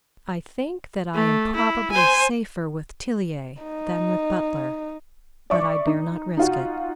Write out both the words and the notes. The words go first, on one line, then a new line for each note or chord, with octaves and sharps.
I think that I am probably safer with Tillier than with Butler, but I dare not risk it.
A3
E4
C5 G#5
D#4
D5 E5 C#6 D6
D#4
D#4 F4 F#4